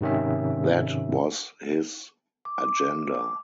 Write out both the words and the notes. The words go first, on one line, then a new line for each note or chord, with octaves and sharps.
That was his agenda.
G#2 C3 D#3 C#4 E5
D6